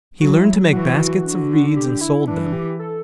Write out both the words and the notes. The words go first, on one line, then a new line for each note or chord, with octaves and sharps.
He learned to make baskets of reeds and sold them.
F#3 F#4
E4
E3 F#4
D3
G4
E4
E3 D4
G4
A4